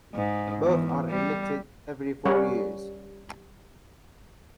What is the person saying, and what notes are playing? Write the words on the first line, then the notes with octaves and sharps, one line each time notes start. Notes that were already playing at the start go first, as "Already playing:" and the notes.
Both are elected every four years.
G#2
E2
G3
G3 C#4 A#4 C#5 F#5